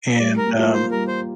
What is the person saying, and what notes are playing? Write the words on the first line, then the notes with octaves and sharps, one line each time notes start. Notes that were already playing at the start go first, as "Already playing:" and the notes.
and, um,
G3 D5
A#4
A#3 F4
C5
G3 A#4
C5